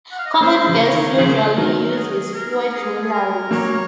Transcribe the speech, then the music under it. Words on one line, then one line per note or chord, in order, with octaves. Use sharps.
Common guests usually uses fewer jewelries.
F#5
F5
D#5
C#5
A#3 C#4 C5
C#3 F3
C#5
D#3
D#3
C#3 F3 C5
D#3 F#3 A#4
F#4
G#4
A#4
G#4
G#4
A#4
F#3 A#3 C#5